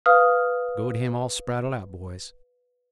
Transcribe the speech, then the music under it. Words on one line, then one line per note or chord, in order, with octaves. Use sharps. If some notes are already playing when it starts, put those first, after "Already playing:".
Go to him all spraddled out, boys.
B4 F5 D#6 F6